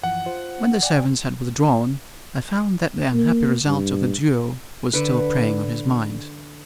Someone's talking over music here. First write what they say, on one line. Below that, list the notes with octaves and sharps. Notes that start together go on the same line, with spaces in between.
When the servants had withdrawn, I found that the unhappy result of the duel was still preying on his mind.
F#2 E3 F3 F#5
F4 C5
D5 G5 G#5
A#3
G2
D3 B4